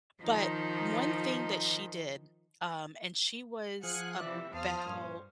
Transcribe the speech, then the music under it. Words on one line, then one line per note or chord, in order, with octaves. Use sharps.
but one thing that she did, um, and she was about
D#3 F3 D#4
F3 G#4 F5 F#5 G#5 F#6
C3 E3 D5 E5
E2 C5 F5 A5 D#6 F6
G2 A#2 C#4